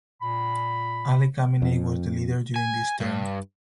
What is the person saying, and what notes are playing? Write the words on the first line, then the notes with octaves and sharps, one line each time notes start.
Ali Khamenei was the Leader during this term.
A#2 B5
F2
G#5
G2